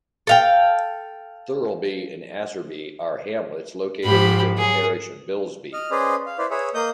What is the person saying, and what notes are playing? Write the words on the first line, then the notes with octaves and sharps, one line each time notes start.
Thurlby and Asserby are hamlets located within the parish of Bilsby.
A4 F5 G5
G#2 F3 G4 B5
F#3 G#4
D#5 F6
C#4 G#4 B4 C5 D5 D#5
F5
E4 B4 C5 D5
G#4 B4 C#5 E5
A#3 D#5 D#6 G6